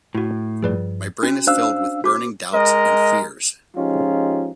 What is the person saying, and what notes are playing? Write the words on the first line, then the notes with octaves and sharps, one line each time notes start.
My brain is filled with burning doubts and fears.
A2 E4 F#4
G2 F3 G#4 B4 D5
C#4 F#4
D4 C5 F5 E6
F#4 D6
G#3 A#4 D#5
F3 G#3 C#4 D#4 F4 G4